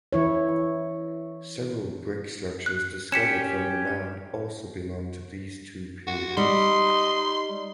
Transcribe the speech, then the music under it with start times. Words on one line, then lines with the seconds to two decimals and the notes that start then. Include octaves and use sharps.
Several brick structures discovered from the mound also belong to these two periods.
0.13 E3 E4 C#5
2.66 F#6
3.12 C#4 G4 B6 C#7 E7
6.07 F#4
6.37 G3 D#4 C6